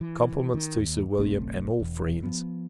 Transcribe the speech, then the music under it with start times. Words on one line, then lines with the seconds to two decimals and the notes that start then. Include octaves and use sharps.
Compliments to Sir William, and all friends.
0.01 E3
0.54 D#3
0.78 D#2
1.17 F#1 B1 A3 C4
1.80 E1 E2
2.23 F3 B3